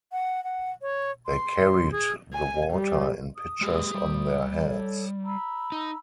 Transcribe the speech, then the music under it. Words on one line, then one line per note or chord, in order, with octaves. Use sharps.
They carried the water in pitchers on their heads.
F#5
F#5
C#5
C6
G#4
G#5
G3
D#6
G#3 G4 G#4
G3
A4 C#5
A#5 B5 E6
D#4